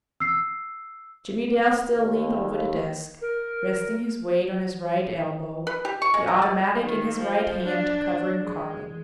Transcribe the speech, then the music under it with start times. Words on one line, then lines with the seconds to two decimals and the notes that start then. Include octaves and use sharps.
Jimmie Dale still leaned over the desk, resting his weight on his right elbow, the automatic in his right hand covering Carling.
0.20 E6 C7
1.97 D#2
3.22 A#4
5.67 B4
5.85 G4
6.02 C#6
6.14 G#3
6.28 A#5
6.42 D5
6.82 D#3
7.16 F3
7.63 D4
8.42 G#3